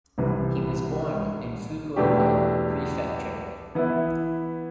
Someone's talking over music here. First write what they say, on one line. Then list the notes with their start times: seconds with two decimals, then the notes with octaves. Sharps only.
He was born in Fukuoka Prefecture.
0.18 C2 C3 E3
1.96 E2 B2 A3 D4 G4
3.75 E3 B3 E4